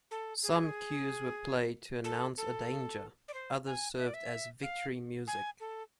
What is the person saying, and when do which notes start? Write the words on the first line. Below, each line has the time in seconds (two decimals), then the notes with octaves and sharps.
Some cues were played to announce a danger; others served as 'victory' music.
0.11 A4
0.43 G#4
2.04 A4
2.37 A4
3.28 D5
3.34 C5
3.66 G#5
3.98 E5
4.06 D5
4.14 E5
4.63 F5
5.27 G#5
5.60 A4